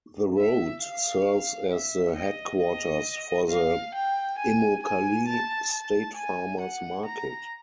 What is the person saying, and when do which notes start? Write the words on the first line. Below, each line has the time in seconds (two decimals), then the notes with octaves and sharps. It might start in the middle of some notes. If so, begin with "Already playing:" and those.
The road serves as the headquarters for the Immokalee State Farmer's Market.
0.38 E5
0.83 F5
1.71 E5
2.16 D#5
2.61 D#5
3.50 F5
3.95 G5
4.39 G#5
4.83 G#5
5.27 A5
5.72 A5
6.17 G#5
6.61 F#5
7.05 A#5